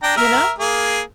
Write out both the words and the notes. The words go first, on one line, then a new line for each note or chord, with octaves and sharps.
you know?
D4 G5 A#5
A#4 E5
A#3 G#4